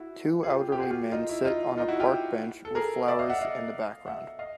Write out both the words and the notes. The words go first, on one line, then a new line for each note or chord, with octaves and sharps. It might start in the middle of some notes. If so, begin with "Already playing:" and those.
Two elderly men sit on a park bench, with flowers in the background.
Already playing: E4 F#4
G#4
F4 G4
G4
F#4 G#4
F4 G4
D#4 F4
E4
D#4 F4
D#4 F4
E4 F#4
F4 G4
A4
G#4 A#4
D5 E5
D#5 F5
E5 F#5
D#5 F5
E5 F#5
D#5 F5